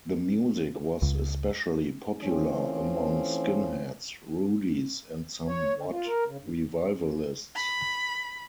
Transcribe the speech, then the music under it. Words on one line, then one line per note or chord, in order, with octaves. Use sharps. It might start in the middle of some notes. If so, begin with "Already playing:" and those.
The music was especially popular among skinheads, rudies and some mod revivalists.
C#2
E3 F3 A3 C4 C#4
C#5
D3
F4
A#4
C#3
G2
B5